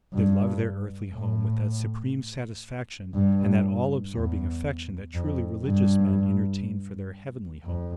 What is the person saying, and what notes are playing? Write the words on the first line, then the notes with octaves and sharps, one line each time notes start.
They love their earthly home with that supreme satisfaction and that all-absorbing affection that truly religious men entertain for their heavenly home.
G2
A2
G2
E2
F2
G2
F2